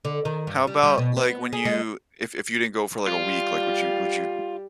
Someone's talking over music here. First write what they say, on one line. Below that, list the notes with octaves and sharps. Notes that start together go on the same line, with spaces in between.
How about, like, when you, if if you didn't go for like a week, like, would you, n would you
D3
D#3
G2
G3
G3
B2
B3
G#4
G#3
G3 F4